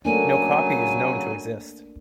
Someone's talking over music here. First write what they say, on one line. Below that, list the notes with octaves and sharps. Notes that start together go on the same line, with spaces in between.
No copy is known to exist.
C#3 F#3 A3 A#3 D4 G#5